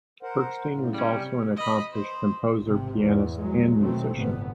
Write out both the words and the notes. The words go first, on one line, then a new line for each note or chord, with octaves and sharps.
Erskine was also an accomplished composer, pianist and musician.
A#4 C5 F#5
A2 C#3
G3 C#4
C3
D#5 B5
C5
G#1 C3
E2 G#2
F#3 G#3
B2 D#3 F#3 A3 C4
G1 A2 C3 B3